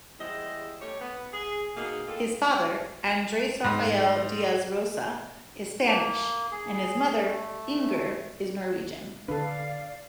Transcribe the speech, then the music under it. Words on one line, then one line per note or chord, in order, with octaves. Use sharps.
His father, Andres Rafael Diaz Rosa, is Spanish and his mother, Inger, is Norwegian.
E2 G3 G#3 E4 C5 D#5
G3 A3 G4 C#5
B3
G#4
B2 A#3 D#4 G#4
G3 A#3 F4 G#4 A4
G#2
A#3
G#4
A3
D3 D4 A4 B4 D5 F5